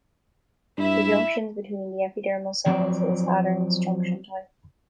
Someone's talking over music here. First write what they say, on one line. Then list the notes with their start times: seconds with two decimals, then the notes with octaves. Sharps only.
The junctions between the epidermal cells is adherens junction type.
0.78 G2 E4 E5
2.66 F3 F#3 C4 C#5 D5